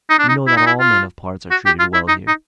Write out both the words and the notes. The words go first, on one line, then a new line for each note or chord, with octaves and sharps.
You know that all men of parts are treated well here.
D#4
D4
D#4
E4
D#4
E4
F4
F#4
G4
F4
E4
D#4
D#4